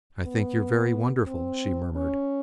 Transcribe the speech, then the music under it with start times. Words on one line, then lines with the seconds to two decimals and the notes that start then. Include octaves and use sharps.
"I think you're very wonderful," she murmured.
0.24 B3
1.27 C4
1.96 C#4